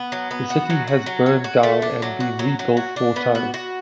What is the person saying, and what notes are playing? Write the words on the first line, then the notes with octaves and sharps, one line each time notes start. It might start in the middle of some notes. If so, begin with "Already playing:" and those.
The city has burned down and been rebuilt four times.
Already playing: B3
F#3
B3
F#4
F#3
F#4
F#3
C#5
F#4
A3
D4
F#3
F#4
F#3
F#3
F#4
D4
B3
F#4
F#4